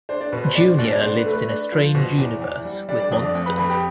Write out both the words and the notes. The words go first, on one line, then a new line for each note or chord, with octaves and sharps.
Junior lives in a strange universe with monsters.
D4 C5
D4 D5
B2 B4
C5
D4 D5
C5
B2 D4 D5
D4 D5
D4 C5
B4
A3
B4
D4
F3
B2 C5
E2
E2
G3
G3 D4 D5
D4 D5
F2
D4 D5
F2
B4 B5
F2 B4 B5
G4 G5